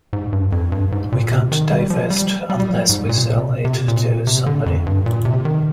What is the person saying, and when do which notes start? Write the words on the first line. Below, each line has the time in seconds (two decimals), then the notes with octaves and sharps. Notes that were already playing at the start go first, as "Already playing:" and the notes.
We can't divest unless we sell it to somebody.
0.13 G#2
0.33 G2
0.52 F2
0.72 G2
0.92 G#2
1.12 A#2
1.31 C3
1.52 D#3
1.71 G3
1.90 F3
2.10 G3
2.50 G3
2.60 G3
2.69 F3
2.89 G#2
3.09 A#2
3.17 C3
3.24 A#2
3.33 C3
3.41 A#2
3.48 C3
3.56 A#2
3.65 C3
3.73 A#2
3.81 C3
3.88 A#2
3.97 C3
4.04 A#2
4.27 C3
4.46 D3
4.66 F2
4.86 G2
5.06 A#2
5.25 C3
5.45 D#3